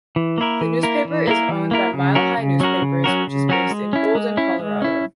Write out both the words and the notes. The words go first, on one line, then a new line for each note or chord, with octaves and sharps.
The newspaper is owned by Mile High Newspapers, which is based in Golden, Colorado.
E3
A#3 E4 A#4
E3
A#3 E4 A#4
E3
A#3 E4 A#4
E3
A#3 E4 A#4
C#3
F#3 C#4 F#4 A#4
C#3
F#3 C#4 F#4 A#4
C#3
F#3 C#4 F#4 A#4
C#3
F#3 C#4 F#4 A#4
G#3
C#4 E4
G#3
C#4 E4
G#3
C#4 E4